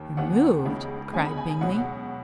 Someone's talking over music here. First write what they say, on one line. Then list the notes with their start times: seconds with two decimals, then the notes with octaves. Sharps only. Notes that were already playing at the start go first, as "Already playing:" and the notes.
"Removed!" cried Bingley.
Already playing: D#2 D#3
0.17 D#2 D#3 B3 F#5
0.66 C#2 C#3 B3 D#4
1.13 C#2 C#3 B3 D#4 G#5
1.25 B5
1.38 G#5
1.49 G#5
1.61 C#2 B2 F#3 F#5